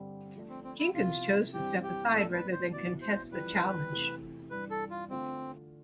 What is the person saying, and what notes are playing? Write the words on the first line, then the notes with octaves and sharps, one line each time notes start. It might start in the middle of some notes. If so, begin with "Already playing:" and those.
Jenkins chose to step aside rather than contest the challenge.
Already playing: G2 D3 G3 C4 G4
F3 A3 D4
C4
C4
E4
C3 F3 B3 E4 F4
G2 E3 G3 C4 G4
G4
A2 G3 B3 D4 A4
B4
C5
E2 B2 B3 E4 D5
C5
F2 E3 G3 B4
E2 C3 E3 A3
G2 E3 G3 D4 B4
A4
F4
D3 A3 C4 D4 F4